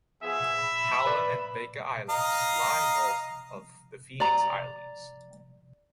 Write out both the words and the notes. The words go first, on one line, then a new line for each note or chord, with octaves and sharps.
Howland and Baker islands lie north of the Phoenix Islands.
F3 B3 G#4 E5
B5
B4 D5
D#5 F5 A#5
D5 A#5